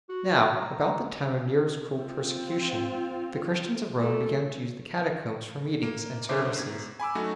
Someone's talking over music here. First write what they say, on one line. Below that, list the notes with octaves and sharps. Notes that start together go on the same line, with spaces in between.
Now, about the time of Nero's cruel persecution, the Christians of Rome began to use the Catacombs for meetings and services.
F#4
A#5
C4 F4
A3
A#3
B1 D3 A#4 C5 E5 D6
E2 G#6
G#5 B5 D6 E6
F#3 A3 C#4 D#4 F#4